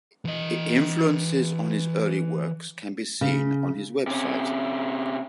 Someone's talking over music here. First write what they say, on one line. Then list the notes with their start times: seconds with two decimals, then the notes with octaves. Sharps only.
Influences on his early works can be seen on his website.
0.25 E3 D#5
3.21 C#3
4.07 C3 C#4